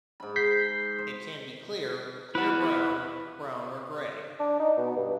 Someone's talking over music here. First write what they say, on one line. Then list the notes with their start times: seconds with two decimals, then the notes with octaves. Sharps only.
It can be clear, clear brown, brown or gray.
0.20 G#2 B5
0.36 G6 B6 C7
0.99 C5
2.35 E4 B4 F#5
4.39 D4
4.60 D#4
4.77 B2
4.96 G2